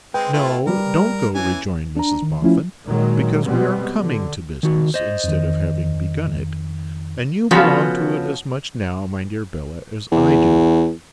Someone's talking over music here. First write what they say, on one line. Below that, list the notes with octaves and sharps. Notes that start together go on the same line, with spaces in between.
'No, don't go,' rejoined Mrs Boffin, 'because we are coming to business, instead of having begun it, and you belong to it as much now, my dear Bella, as I do.
G#3 C4 B4 G5
A3 E4 F4
G3 A#4
E3 C#4 G#5
D4 A#5
D#3
F3 A3 C#4 E4 F4
A#2 D#3 F#3 G#3
B2 G3 G#3 B3 C4
D3
D#3 F#4
C5 D#5
F2 D#3
C#3 F3 B3 C#4 F#4 A4
E2